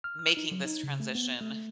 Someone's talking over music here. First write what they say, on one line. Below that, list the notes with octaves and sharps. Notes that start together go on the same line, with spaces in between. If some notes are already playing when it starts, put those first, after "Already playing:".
"making this transition.
F6
F6
D#4
F#3
D#4
C#3
A3
B3
A3